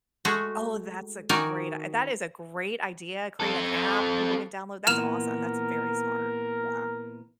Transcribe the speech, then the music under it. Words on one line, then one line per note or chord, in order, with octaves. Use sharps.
Oh, that's a great i that is a great idea, create an app, people can download, that's awesome, that's very smart, yeah.
G#3 A3 F#4 G#4
D#3 D#4 F#4 A#4 D5 G#5
C4 A4
A#2 E3 B3 A#4 F6 E7 F7